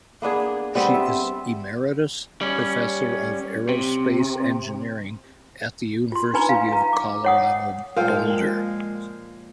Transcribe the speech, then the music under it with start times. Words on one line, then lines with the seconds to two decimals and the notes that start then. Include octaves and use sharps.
She is Emeritus Professor of Aerospace Engineering at the University of Colorado Boulder.
0.22 A#3 B3 D4 G#4
0.75 G3 B3 C4
0.94 E5
2.41 G3 C#4
3.69 C3
6.12 F4 C6
6.34 D4 D#4 B4 G#5 A#5 B5
6.49 F5
6.68 F5 A#5
6.93 D6
7.25 C#5 F#5 D#6
7.97 A#2 F3 G#3 A#4 F5 G5